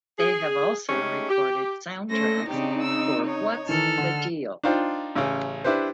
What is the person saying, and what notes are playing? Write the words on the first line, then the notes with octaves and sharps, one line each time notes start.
They have also recorded soundtracks for What's The Deal?
G#4
G#3 A3 C#4 D#4 G4 G#4
G4
A3 C#4 C5 A#6
C#3 C4 D4 D#4 G4
E6
C#5
D#3 E3 A4 F6
D3
D4 D#4 F4 C5 G5
A1 C#3 C#4
D4 E4 G4 B4 C5